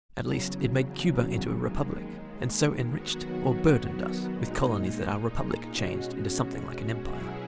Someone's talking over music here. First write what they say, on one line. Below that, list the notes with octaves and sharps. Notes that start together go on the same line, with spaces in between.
At least it made Cuba into a republic, and so enriched or burdened us with colonies that our republic changed into something like an empire.
E2 C#3 F#3
D#2 D#3 G#3
D#3 F#3 B3 F#4
A#2 G#3 D#4
B2 G#3 C#4 F#4
B2 F#3 C#4 E4 G#4